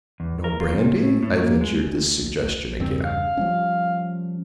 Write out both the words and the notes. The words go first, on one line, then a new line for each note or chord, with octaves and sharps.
"No brandy?" I ventured this suggestion again.
E2
A#4
F4
A#2
A2
A2
A#3
G#3
D2
E2 G2 C#3 C4
F5
F3 G3 C#4